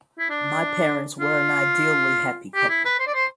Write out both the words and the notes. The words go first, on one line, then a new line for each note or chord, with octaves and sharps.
My parents were an ideally happy couple.
E4
D4
F4
G4
E4
B4
C5
D5
C5